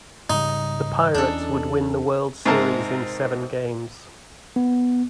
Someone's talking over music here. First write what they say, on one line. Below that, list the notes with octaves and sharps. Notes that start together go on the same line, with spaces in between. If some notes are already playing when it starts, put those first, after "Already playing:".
The Pirates would win the World Series in seven games.
G#2 C#3 G3 D#4
E2 C#4 D4 A4
G#2 C3 A#4 A5
B3